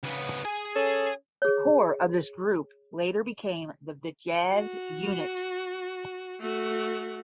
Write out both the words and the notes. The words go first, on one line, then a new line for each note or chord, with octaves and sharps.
The core of this group later became the ""Vityaz"" unit.
C#3 B3
G#4 G#5
C#4 A4
G#4 C#5
F#4
A3 F#4